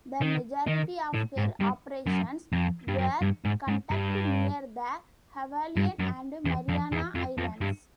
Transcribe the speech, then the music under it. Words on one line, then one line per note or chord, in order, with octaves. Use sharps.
The majority of her operations were conducted near the Hawaiian and Mariana Islands.
D#3
D#3
A2
G#2
G2
F#2
F2
G2
F#2
G2
G#2
G#2
G2
G2
F#2
E2
F2
E2
F2
F2
G2